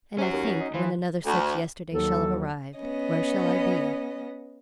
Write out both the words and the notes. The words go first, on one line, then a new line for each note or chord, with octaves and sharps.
And I think when another such yesterday shall have arrived, where shall I be?
C3 C#4 F#4
D#2
D#4
E3 F3
D2
D#2 F#3 A4
B3 C#4 D#5